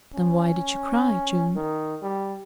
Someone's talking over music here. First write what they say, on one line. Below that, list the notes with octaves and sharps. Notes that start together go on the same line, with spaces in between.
"Then why did you cry, June?"
C#4
D#3
G3